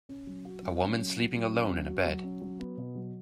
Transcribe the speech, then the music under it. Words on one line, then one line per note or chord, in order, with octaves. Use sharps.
A woman sleeping alone in a bed.
C#4
F#3
F#4
F#3
C#4
F#3
F#4
F#3
C#4
F#3
F#4
F#3
C#4
F#3
B3
B2
F#3